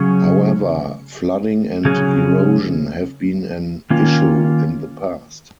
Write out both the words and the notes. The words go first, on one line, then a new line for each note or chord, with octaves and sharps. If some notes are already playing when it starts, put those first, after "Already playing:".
However, flooding and erosion have been an issue in the past.
Already playing: C#3 F#3 C#4 G#4
C#3 F#3 C#4 G#4
D#3 A#3 C#4 F4